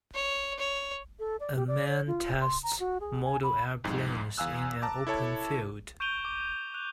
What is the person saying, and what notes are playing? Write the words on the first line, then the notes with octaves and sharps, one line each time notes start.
A man tests model airplanes in an open field.
C#5
C#5
A4
D5
G4
D5
C#5
F4
C6
A#5
F#4
G#4
G#5
B5
C2 F2 G#2
E2 F5 G#5 E6 F#6
A5 A#5 D6
E4 A4 C#5 A5
C#6 G6 D7 D#7 F7 G7
D6
F#6 F7